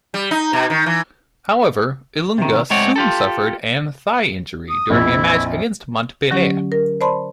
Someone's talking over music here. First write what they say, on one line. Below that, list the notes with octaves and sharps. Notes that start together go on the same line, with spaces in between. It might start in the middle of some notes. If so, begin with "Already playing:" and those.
However, Ilunga soon suffered an thigh injury during a match against Montpellier.
G3
D#4
B2
D#3
E3
C3 D#3
A2 G#3 C4 C#5 D5 F#5
F4 G4 A4
D#6
A#1 F2 E4
D3 F#3 C#4 G4
A#4
C5 D5 A5 B5 C6